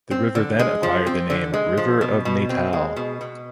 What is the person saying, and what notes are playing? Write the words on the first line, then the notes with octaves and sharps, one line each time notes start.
The river then acquired the name "River of Natal".
C4
D3
G#3
F3
C4
D3
G#3
F3
B2
B2
C4
G#3
B2
B2